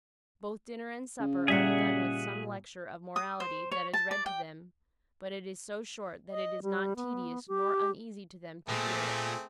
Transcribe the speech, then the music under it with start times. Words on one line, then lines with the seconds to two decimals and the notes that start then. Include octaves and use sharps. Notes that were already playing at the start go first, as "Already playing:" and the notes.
Both dinner and supper are begun with some lecture of morality that is read to them; but it is so short that it is not tedious nor uneasy to them to hear it.
1.20 C#3
1.48 A#2 G3 G#4 E5 F#5
3.16 D#6
3.40 C5
3.71 C#5
3.94 A5
4.11 D5
4.26 G5
6.30 D#5
6.63 G3
6.96 B3
7.48 G4
8.68 A#2 A3 A#3 C4 G#4